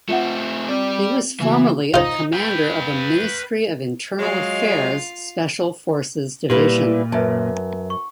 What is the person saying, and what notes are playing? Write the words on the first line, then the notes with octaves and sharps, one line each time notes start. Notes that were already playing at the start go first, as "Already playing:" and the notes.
He was formerly a commander of a Ministry of Internal Affairs Special Forces division.
A3 C4 F4 E5 F#5
C4 G4 D5
C#3 E3 A#3 F#4
D#4 F4 C5
B4 G5
F#3 G#3 F4 F5
A#2 G3 E4 G4 B4
F#2 B4 E5 A5
C#6